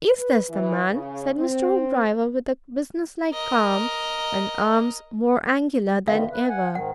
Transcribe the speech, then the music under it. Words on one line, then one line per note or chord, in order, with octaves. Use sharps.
"Is this the man?" said Mr. Hoopdriver, with a business-like calm, and arms more angular than ever.
B4
E3
C#3
C4
A#4 D#5
B2 D3 D#3 E5 F5
B4
F#5 G#5
G#2 D#3 F#5